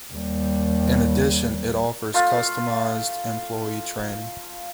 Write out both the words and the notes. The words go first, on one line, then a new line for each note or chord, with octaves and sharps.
In addition, it offers customized employee training.
D#2 G3
A3 F4